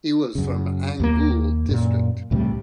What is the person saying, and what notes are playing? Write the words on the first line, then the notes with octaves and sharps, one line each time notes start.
He was from Angul district.
F#2 C#3
D#2 G3 A#3
F#2 A#2
C#2 A2 C3 G3